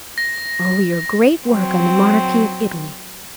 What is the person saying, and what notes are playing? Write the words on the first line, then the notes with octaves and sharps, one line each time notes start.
"Oh, your great work on the monarchy of Italy!"
A#6
F#3 C4